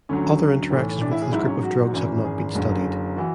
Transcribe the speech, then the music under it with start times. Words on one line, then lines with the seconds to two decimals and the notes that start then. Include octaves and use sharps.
Other interactions with this group of drugs have not been studied.
0.09 D2 D3 F#3 C#4
0.70 B1 A2 E3
1.01 D4
1.11 E4
1.21 G#4
1.32 A1 G#2 F#3 E4
1.47 C#4
1.63 F#4
1.93 G#1 F#2 E3
2.24 G#4
2.55 F#1 F#2 D3 F#3
3.16 E3 F#4